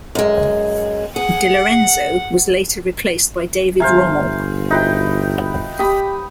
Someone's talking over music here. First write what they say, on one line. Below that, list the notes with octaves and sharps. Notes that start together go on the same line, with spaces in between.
Delorenzo was later replaced by David Rommel.
F#2 G#3
G#4 F#5
G1 G4 C5 E5 F5 G#5 A#5
D#4 F4 F#4 B4 E5 G5
G4 B5 D#6